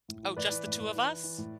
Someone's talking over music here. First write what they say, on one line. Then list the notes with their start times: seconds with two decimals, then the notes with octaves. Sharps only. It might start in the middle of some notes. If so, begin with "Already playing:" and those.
Oh, "Just the two of us?"
0.09 A2
0.23 E3
0.37 A2 B4 D5
0.52 E3
0.66 A2
0.80 A2
0.96 E3
1.09 E3
1.24 E3
1.38 A2